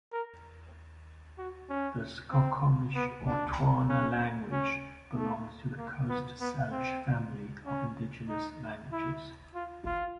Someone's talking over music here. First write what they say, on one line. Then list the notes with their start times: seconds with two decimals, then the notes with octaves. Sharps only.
The Skokomish, or Twana language belongs to the Coast Salish family of indigenous languages.
0.13 A#4
1.38 F#4
1.70 C#4
2.31 C4
2.95 B3
3.26 D4
3.89 C#4
4.52 C#4
5.15 A3
5.78 A#3
6.09 B3
6.40 B3
6.71 C4
7.66 C#4
8.29 D#4
8.92 E4
9.55 F4
9.86 F4